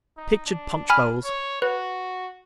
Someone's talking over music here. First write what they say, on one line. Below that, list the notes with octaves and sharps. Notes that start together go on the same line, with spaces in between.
Pictured punch-bowls.
D#4
D4
G#5 B5 F6
C#5
F#4 B4